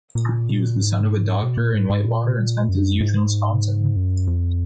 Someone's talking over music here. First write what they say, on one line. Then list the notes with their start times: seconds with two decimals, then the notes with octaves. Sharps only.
He was the son of a doctor in Whitewater and spent his youth in Wisconsin.
0.15 A#2
0.78 G#2
1.42 B2
1.57 A#2
1.74 G#2
1.90 G#2
2.06 A#2
2.69 F#2
3.01 G#2
3.96 F#2
4.27 F2